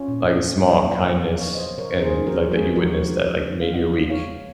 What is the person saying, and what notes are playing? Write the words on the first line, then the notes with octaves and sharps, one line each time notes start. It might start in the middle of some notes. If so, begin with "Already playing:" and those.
like, a small kindness and, like that you witnessed that, like, made your week.
Already playing: C#4 F4
A#2
A#3
F#3
F4
A#3 C4 D#4
A#4 C#5
C#3
F3
C#5 F5
C#3 C5 D#5
C#3 A#4 C#5
A#4
C#3 G#4 C5
F3 F#4 A#4
G#3 F4 G#4
F3 F#4 A#4
C#3
C#3
C#3
F5
C#3 D#5 F#5
G#3
C#5 F5
G#3